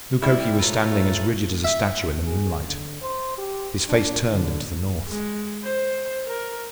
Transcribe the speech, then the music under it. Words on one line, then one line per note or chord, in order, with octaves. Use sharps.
Mukoki was standing as rigid as a statue in the moonlight, his face turned into the north.
G3 E4
D#4 F4 A4 B4 C#5 E5
E5
G#4
D3
C5
G4
D4
D3
G#3
C5
A#4